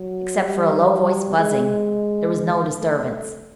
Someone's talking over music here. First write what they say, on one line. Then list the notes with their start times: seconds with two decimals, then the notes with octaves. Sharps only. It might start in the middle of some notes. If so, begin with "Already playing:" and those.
Except for a low- voiced buzzing, there was no disturbance.
Already playing: F#3
0.42 G3
0.88 G3
1.36 G#3
2.80 A3